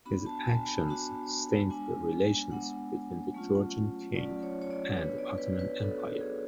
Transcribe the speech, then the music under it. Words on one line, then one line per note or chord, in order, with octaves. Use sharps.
His actions stained the relations between the Georgian King and Ottoman Empire.
B3 D4 F#4 B5
A5
G#5
A5
B5
B3 D4 F#4 B5
G#3 B3 D4 G#5
G#3 B3 D4 F#5
F#3 A3 C#4 F4
F#3 A3 C#4 F4 D5
C#5
C#5
D5
B4
B3 D4 F#4 C#5
D5
B4
B4
B3 D4 F#4 A4
F#4
G#4